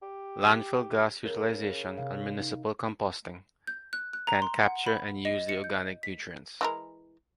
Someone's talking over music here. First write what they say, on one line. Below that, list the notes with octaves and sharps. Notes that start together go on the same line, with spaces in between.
Landfill gas utilization and municipal composting can capture and use the organic nutrients.
G4
C#3 A#4
C3 F5
D#4
G6
F#6
F#6
A#5
C6
F#5
B5
D#5
C#7
G6
B6
E3 G#3 A#4